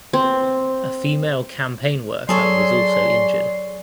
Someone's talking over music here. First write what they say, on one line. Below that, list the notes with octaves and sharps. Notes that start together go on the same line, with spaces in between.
A female campaign worker was also injured.
C4
F#3 G#4 A4 C#5 D5 C6